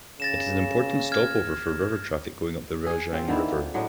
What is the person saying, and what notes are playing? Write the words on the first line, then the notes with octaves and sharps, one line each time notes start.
It is an important stopover for river traffic going up the Rajang River.
C#3 A6 A#6 E7
F6 G#6
G#4
C4 F4 F5
D3 D#3 A#3 E4
F4
A2 F#3 G#3 D4